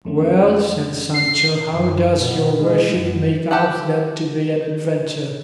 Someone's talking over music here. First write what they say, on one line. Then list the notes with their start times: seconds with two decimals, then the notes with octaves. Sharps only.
"Well," said Sancho, "how does your worship make out that to be an adventure?"
0.05 F2 A3 C#4
1.14 C7
1.70 F#2
2.18 B2
2.61 G#3
2.92 F#2
3.51 G4 A4 F#5